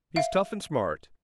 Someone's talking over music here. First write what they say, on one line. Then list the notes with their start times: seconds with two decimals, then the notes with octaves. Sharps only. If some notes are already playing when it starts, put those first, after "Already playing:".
He's tough and smart.
0.16 E5 F5